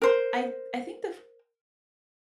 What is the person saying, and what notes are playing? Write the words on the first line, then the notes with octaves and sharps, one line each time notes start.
I I think the f
A#4 C5